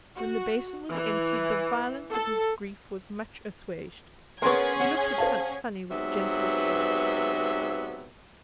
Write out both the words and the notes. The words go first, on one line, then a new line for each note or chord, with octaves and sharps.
When the basin was emptied the violence of his grief was much assuaged; he looked at Tant Sannie with gentle tears.
F#4
E3
A4
B3 C#4 G#4 A#4 C6 C#6 G#6
F#5
C5 F5 A5
G#2 C3 F#3 B3 B4 E5